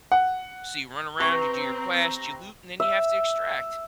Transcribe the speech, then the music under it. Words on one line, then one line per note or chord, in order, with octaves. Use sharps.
so you run around, you do your quest, you loot, and then you have to extract,
F#5
C3 C4 B4 A#5 C#6
E5